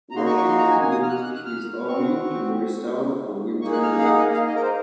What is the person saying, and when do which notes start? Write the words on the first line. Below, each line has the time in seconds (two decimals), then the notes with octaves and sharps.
Washington moved his army to Morristown for winter quarters.
0.11 A#5
0.15 A#3 D#4 F#4 C6
0.26 C#6
0.37 C#6
0.49 C6
0.59 A#5
0.70 G#5
0.81 G#5
0.92 D#6
1.03 F6
1.09 F#6
1.13 F6
1.24 F#6
1.35 F#6
1.46 F6
1.88 C4 C#6
1.93 F#4
3.62 A#3 D#4 G#4 C#6
3.72 F#6
3.83 F6
3.99 F5
4.05 F#5
4.19 D#5
4.34 F5
4.47 D#5
4.56 A#4
4.62 C5